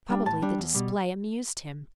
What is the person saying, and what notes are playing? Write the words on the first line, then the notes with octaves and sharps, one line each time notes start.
Probably the display amused him.
G3 D4
A2 A5
G3 D4
E2
B2 G3